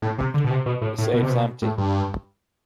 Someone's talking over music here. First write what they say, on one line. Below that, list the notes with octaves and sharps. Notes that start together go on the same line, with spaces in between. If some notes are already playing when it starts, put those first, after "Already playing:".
The safe's empty.
A2
C3
D3
B2
C3
B2
A2
A2
B2
C3
B2
A2
G2